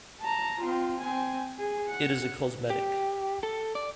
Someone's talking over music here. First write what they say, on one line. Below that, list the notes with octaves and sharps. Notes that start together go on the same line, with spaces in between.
It is a cosmetic.
A5 A#5
C4 F4
C4 G#5
G#4
F#5
G4
A4
D5